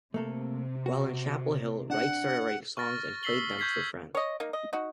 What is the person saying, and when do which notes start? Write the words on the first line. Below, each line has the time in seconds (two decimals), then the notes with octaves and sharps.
While in Chapel Hill, Wright started writing songs and played them for friends.
0.14 C3 A3 A#3 A4
0.86 F#4
1.90 D4 F#5
2.77 C#6 F6 A6 A#6
3.23 E6 B6 C7 F#7 G7
3.59 C#6 G6 G#6 B6 C7
4.15 C#5 D#5
4.40 A#3 D#4
4.53 D#5
4.73 D#4 F#4